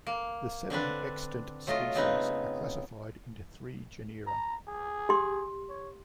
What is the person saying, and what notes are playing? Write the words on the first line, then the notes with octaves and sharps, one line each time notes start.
The seven extant species are classified into three genera.
A#3
D3 C4 D4 B4
F#3 A3 F4 D#5
C#3 B3 C4 D#4 B4
A#5
G#4
G4 C6
C#5